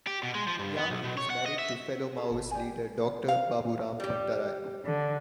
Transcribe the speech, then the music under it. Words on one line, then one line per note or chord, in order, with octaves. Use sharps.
Yami is married to fellow Maoist leader Doctor Baburam Bhattarai.
G4
B2
G#3
F3
G2
B3
B1
B2
C#5
F#5
D#5
E5
F4 G#4 A4
G#1
G4 D5 G#5
F5
G3 G4
D3